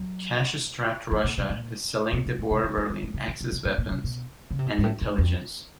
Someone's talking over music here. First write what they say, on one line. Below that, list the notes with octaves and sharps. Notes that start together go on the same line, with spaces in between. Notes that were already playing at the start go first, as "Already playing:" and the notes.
Cash-strapped Russia is selling the Boer-Berlin Axis weapons and intelligence.
Already playing: F#3
E3
A#2
B2
A#2
A#2
B2
A#2
C3
C#3
F3
E3
D#3
C#3
D3
C3
B2
A#2
A#2
C3
B2
C#3
C3
B2
G#2
A2
F2
F2